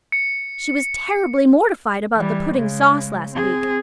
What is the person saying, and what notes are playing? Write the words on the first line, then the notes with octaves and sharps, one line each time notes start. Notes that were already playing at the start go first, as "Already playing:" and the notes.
She was terribly mortified about the pudding sauce last week.
C#7
E3 G3
C#3 G#3
C4 G#4